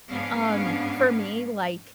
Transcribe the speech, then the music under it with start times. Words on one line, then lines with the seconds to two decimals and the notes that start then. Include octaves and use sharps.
Um, for me, like,
0.10 G#2 B3 C#4 D4 F5